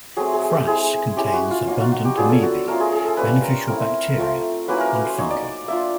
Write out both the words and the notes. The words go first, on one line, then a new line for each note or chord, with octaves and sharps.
Frass contains abundant amoebae, beneficial bacteria, and fungi.
F#3 A3 C4 G#4
G#4
G4
G#3 C4 E4 G#4
G#3 C#4 E4 G4
F#4
F4
F#3 A#3 D#4 F4
F#4
F#4
G4
F#3 B3 D4 F4 G#4
A4
F#4
A3 C#4 F4 A#4
G#4
G#4
A4
G3 A#3 C#4 B4
A#4
A3 C4 E4 A#4
A3 C4 F4
F#3 A#3 C#4 E4 B4
A#4
B4
C5
A#3 D#4 C#5
D5
D5
A#3 D4 F4 E5